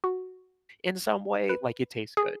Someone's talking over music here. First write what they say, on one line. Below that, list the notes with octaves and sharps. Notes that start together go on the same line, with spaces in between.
in some way, like, it tastes good.
F#4
B4
G#4